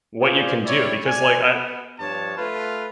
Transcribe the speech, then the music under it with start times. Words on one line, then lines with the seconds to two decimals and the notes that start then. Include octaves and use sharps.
what you can do, because, like, I, eh, eh
0.21 F4 G#4 C5 D5
0.65 D4 E4 G4 C#5 D5
1.05 D5 G#5
1.47 B3
1.99 G2 F3 D4 C#5 A5
2.38 A3 F4 B4